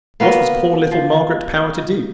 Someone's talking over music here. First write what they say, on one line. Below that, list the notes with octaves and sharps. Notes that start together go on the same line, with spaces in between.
What was poor little Margaret Power to do?
A#3 B3 F#4 A#4
F3